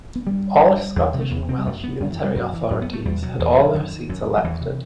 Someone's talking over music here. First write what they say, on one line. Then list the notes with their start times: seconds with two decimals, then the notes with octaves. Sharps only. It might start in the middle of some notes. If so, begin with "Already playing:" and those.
All Scottish and Welsh unitary authorities had all their seats elected.
0.15 B3
0.27 G2 G3
0.62 G2
0.96 E2
1.14 C3
1.21 A3
1.31 E2 B3
1.49 C3 C4
1.58 G3
1.66 F#2 A3
1.84 B3
2.00 F#2 G3
2.12 E3
2.24 G3
2.35 F#2 F#3
2.53 E3
2.70 F#2 F#3
2.82 B3
2.93 A3
3.05 E2 G3
3.22 B2 F#3
3.39 E2 E3
3.57 B2 F#3
3.74 F#2 D#3
4.09 F#2
4.37 F#3
4.44 E2 E3
4.61 C3